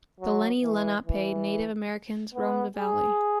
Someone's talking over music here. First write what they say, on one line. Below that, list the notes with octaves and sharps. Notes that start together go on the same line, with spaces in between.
The Lenni Lenape Native Americans roamed the valley.
F#3
E3
E3
B3
G#4